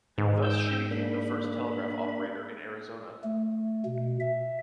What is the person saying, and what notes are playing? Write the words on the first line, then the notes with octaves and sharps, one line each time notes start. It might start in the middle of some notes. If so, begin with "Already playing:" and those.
Thus she became the first telegraph operator in Arizona.
G#2 D#3 G#4 B4
G5 E6 G6
A#3 D4 B5
A3
B2
E5